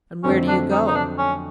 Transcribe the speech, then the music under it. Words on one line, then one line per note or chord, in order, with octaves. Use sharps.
"And where do you go?"
F2 D3 F#3 A3 C4 C#4
D4
D#4
D#4
D4
C#4